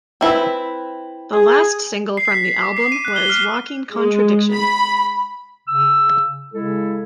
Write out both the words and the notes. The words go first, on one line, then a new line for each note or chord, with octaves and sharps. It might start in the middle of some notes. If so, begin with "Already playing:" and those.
The last single from the album was "Walking Contradiction".
C4 E4 B4
G#4
C7
B6
C7
D6
C7
D#7
F#6
G7
F6
G#3
B5
C#3 E6
C#3 G#3 E4 A4